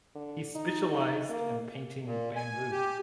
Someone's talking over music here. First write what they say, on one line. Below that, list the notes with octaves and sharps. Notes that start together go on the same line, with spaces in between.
He specialized in painting bamboo.
D3
D#4
D#4
A#3
A#2
G#5
G4